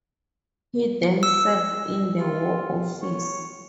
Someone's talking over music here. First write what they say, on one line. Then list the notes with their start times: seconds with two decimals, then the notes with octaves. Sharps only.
He then served in the War Office.
1.23 E6
2.19 E4 F4 G4 B5
2.42 F#5
3.02 E4 C#5 C#6